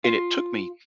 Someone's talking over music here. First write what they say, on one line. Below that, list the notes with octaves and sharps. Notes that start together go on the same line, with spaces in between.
And it took me
F4